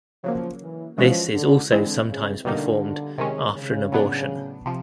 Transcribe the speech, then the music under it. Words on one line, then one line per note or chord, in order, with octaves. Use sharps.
This is also sometimes performed after an abortion.
C#3 F3 F#3 A#3
E3
C#3 E3 F3 G#3 C#4 F#4
D3
D3 E3 G#3 C4 E4
C#3
B2 D3 G3 A#3 D#4
C3 D#3 G#3 C#4
C#3
A2 F#3 B3 D4
C3 F3